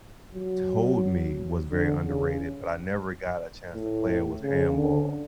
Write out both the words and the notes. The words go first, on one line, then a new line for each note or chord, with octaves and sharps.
told me was very underrated, but I never got a chance to play it, was handball,
F#3
D3
C#3
A2
C#3
D3